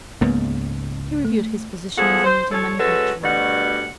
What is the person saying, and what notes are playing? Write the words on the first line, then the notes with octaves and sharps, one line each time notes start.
He reviewed his position as a Milton manufacturer.
C#2 G#2 A#3 B3
A3
E2 F3 G#4 A4 F#5
C5
F3 A4 C#5
G#3 C#4 F#4 A4 B4
D2 B2 G3 F#5